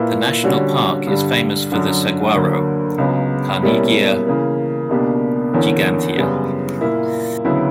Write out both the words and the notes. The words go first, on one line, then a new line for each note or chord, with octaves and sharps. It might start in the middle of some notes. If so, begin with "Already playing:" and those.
The National Park is famous for the Saguaro, "Carnegiea gigantea".
Already playing: A#2 A#3 E4 B4
D3 G3 C#4 F#4
G2 D3 G3
F#2 D3 F#3
D2 D3 F#3 A#3
C#2 C#3 F#3 B3
B2 G3 A#3 C#4 E4
C#3 E3 A#3
C#2 B2 A#3 D4 G4
E2 D3 A#3 C#4
F#2 C#3 G3 B3
A#2 A#3 E4
D2 C#3 F#3 B3 E4